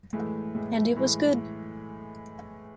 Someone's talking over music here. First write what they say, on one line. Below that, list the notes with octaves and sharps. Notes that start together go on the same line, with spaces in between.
And it was good.
A2 E3 G#3 A3
A2 E3 G#3
A2 E3 G#3